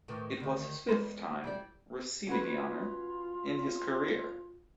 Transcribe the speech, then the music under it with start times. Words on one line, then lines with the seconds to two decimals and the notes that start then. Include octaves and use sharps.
It was his fifth time receiving the honor in his career.
0.08 A2 D#3 E3
0.40 D2 D#3
0.88 E2 G#3 B4
1.44 G3 E4 D5
2.27 C#4 F4 F#4 B4